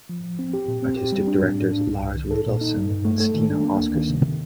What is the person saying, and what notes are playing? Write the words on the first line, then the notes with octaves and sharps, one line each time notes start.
Artistic Directors - Lars Rudolfsson and Stina Oscarson.
F3
F3
C4
G4
A#2
C4
G4
G3
D4
A2
A2
D4
C2
C2
D#3
A4
A#2
D#4
G2
G2
A3
A4
D#3
D4
A#3
D2
D#3
C3
C3